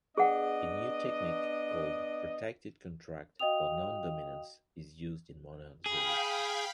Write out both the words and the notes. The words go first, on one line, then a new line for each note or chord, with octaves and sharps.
A new technique, called "protected contact" or "non-dominance" is used in modern zoos.
B3 D4 G#4 D#5 F#5 G5
F#4 D#5 F5 G5 D#6 F7
G#4 F5 G5 B5